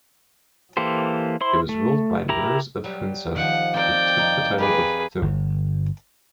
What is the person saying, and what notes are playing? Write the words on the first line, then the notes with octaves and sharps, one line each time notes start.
It was ruled by the Mirs of Hunza, who took the title of Thum.
E3 A#3 G4 A4 C5
E4 C5 C6
A3
E4 G4 A#4 A#5
F#3 G3
D#3 F3 F#5
C4 A#4 D5 G5
F2 D#4
G4 G#4 A#4 B4 D5
G1